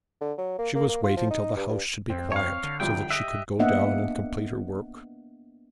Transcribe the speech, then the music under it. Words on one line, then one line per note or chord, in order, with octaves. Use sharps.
She was waiting till the house should be quiet, so that she could go down and complete her work.
D3
F#3
A#3
A#3
A#3
F4
F3
D#4
G2
G2
F2 C4
C#5 F5
D3
D#1 C2 F2 G5
G4 D#5 E5 F#6 B6 D7
A#3 B3 D4 D#5 E5 F#5